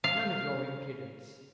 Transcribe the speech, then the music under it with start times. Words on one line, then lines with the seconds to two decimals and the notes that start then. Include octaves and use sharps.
"None of your impudence!"
0.04 F5